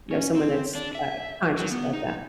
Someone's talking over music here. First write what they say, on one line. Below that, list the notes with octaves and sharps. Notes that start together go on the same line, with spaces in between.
you know, someone that's, uh, conscious about that.
C#4
C4
D4
E5
F#3
B3
D#4